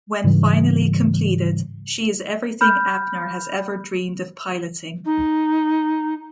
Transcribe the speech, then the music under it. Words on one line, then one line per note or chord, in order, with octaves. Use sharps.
When finally completed, she is everything Abner has ever dreamed of piloting.
G#2 C#3 E3 G3
B5 F6 G6
D#4